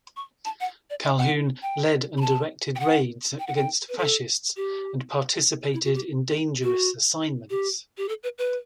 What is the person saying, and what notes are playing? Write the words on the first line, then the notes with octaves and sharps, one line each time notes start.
Calhoun led and directed raids against fascists and participated in dangerous assignments.
C#6
A5
F#5
D5
E5
F#5
G5
B5
A5
G5
F#5
G5
F#5
G5
B4
A4
G4
E4
F#4
G4
F#4
G4
G4
A4
B4
B4